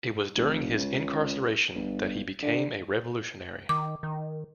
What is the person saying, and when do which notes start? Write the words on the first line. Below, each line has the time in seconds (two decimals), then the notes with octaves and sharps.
It was during his incarceration that he became a revolutionary.
0.36 F1
0.77 C#2
1.75 G1
2.42 D3
3.69 D#3 D6
4.03 D#3